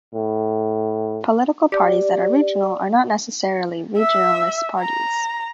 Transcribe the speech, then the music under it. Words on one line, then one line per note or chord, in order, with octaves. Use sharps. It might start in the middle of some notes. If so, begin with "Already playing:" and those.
Political parties that are "regional" are not necessarily "regionalist" parties.
A2
G4 D5
E5
A#5